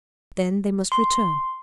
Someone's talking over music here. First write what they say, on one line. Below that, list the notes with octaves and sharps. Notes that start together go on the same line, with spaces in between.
Then they must return.
C6